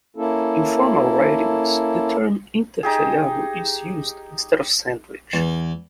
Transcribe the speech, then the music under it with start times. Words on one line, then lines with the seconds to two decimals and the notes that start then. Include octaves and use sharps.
In formal writings, the term "interferiado" is used instead of "sandwich".
0.16 A#3 C#4 E4 A4
2.83 D#4 G4 G#4
5.33 E2